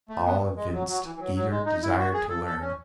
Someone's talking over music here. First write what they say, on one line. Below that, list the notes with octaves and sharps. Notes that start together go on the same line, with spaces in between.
All evinced eager desire to learn.
A3
B3
G#3
F#3
F#3
E3
E3
F#3
F#3
G#3
D#4
E4
F#4
G#4
A4
A4
C#4